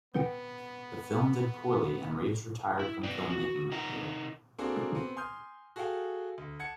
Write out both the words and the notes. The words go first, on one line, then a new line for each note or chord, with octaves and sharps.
The film did poorly and Reeves retired from filmmaking that year.
B3 B4 F#5 G5
E4
B3 B4 D5 G5
F#4
C3 D#4 A#4 F#5 A#5
A#3 C4 D4 F#4 G#4 A4
B3 C4
G#5 C6 D#6 F6 G6
F#4 G#4 A4 F5 G5
D2
F#5 A5 G#6 C#7